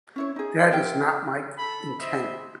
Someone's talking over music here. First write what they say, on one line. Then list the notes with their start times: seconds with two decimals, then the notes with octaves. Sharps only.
That is not my intent.
0.16 C#4 E4 C#5
0.36 D#4 G#4
0.71 E4 G4 A#4 G5
1.58 A4 B5
2.00 E4 C5 D#5 E5